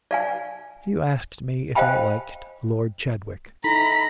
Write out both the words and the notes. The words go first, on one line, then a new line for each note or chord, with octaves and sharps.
You asked me if I liked Lord Chadwick.
D5 F5 G#5
C5 D#5 F5 G5 G#5 B5
D#4 E4 A4 A#5 B5